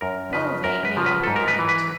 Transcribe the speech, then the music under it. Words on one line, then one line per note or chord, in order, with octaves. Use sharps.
Belvane made up her mind.
F#2 A#4
C#3 F3 B4
F#2 A#4
B4
C#3 F3
B4
G#2 A4
A#4
B4
E3
B4